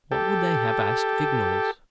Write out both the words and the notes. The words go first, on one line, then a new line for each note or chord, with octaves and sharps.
What would they have, asked Vignolles.
G4 A4